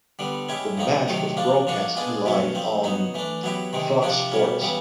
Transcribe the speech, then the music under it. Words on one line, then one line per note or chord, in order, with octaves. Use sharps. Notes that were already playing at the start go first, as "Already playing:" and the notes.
The match was broadcast live on Fox Sports.
D3 G3 B3
G#3 C#4 E4 G4
A2 F3 A#3 D#4
C3 D#3 F#3 A3
F3 A#3 D4 F4
F3 A#3 D4 F#4
G#3 B3 D4 F4 G#4
B2 F#3 A3 C#4
F3 A3 C4
F#3 B3 D#4
E3 A3 D4
F#3 B3 E4 G4
C3 D#3 G#3 C4
C3 F3 A#3 D4 G4
B2 G3 A#3 C#4
C#3 E3 G3 B3